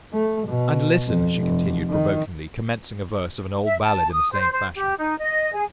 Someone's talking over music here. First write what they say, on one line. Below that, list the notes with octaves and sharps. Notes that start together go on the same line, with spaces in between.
'And listen,' she continued, provokingly, commencing a verse of an old ballad in the same fashion.
A3
B2
F2
F1
D#3
E5
A5
D#6
C5
C5
G4
D#4
D#5
G#4